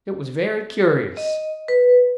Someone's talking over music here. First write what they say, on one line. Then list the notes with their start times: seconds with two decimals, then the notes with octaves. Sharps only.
It was very curious.
1.17 D#5
1.68 B4